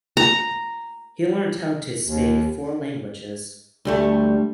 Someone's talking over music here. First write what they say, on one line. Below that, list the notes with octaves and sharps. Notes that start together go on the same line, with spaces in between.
He learnt how to speak four languages.
A#5
D#2
D2 G3 A3